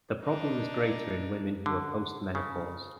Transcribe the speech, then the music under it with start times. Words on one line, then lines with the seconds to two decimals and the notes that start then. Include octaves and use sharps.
The problem is greater in women who are post-menopause.
0.24 D4 D#4
1.66 D3
2.35 C#3